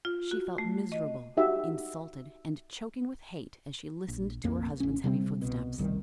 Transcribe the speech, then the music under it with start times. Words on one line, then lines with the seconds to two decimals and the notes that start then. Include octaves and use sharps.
She felt miserable, insulted, and choking with hate as she listened to her husband's heavy footsteps.
0.05 F4
0.31 F#4
0.58 A3
0.92 D#5
1.37 D#4 F#4 G4 E5
4.08 A#1
4.44 A#1 F2 A#3
4.80 A1 C#4
5.04 C3 G3 A3 C4
5.42 C2 B2
5.78 F1 C2 D#3 G3